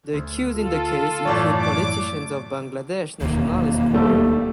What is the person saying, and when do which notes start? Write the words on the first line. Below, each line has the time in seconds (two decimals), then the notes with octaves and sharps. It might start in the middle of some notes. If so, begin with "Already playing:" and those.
The accused in the case include politicians of Bangladesh Nationalist Party.
0.13 D2
0.54 F4 A4
1.25 F#2 A2 E3 C#5 D5 A5
1.56 D6
3.21 E1 D#2 A#3
3.94 G3 A3